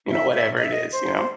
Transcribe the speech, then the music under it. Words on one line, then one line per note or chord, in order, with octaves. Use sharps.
you know, whatever it is, you know?
E5
E5
D#5
E5
D#5
C5
C5